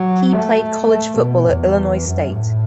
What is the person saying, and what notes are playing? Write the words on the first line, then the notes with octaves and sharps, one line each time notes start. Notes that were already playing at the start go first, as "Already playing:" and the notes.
He played college football at Illinois State.
Already playing: F#3
A3
A3
B2
E2
F#2
A2